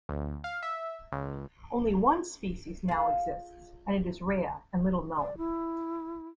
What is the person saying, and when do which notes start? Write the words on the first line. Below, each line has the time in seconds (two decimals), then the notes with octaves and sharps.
Only one species now exists, and it is rare and little known.
0.09 D2
0.44 F5
0.63 E5
1.12 C#2
2.88 F4 G#4
5.16 D5
5.38 E4